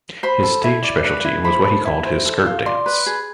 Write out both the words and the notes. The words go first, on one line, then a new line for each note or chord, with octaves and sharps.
His stage specialty was what he called his skirt dance.
C5 B5
A4
E4
D5
B4
E4
C5 B5
A4
E4
C5
A4
F4
D5 C6
B4
G#4